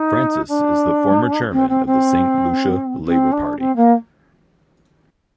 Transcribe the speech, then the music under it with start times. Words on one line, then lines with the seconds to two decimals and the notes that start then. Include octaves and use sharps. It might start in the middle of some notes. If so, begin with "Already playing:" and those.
Francis is the former chairman of the Saint Lucia Labour Party.
Already playing: D#4
0.48 D4
1.52 C4
1.69 C4
1.86 C4
3.06 C4
3.32 D4
3.59 C4
3.76 A#3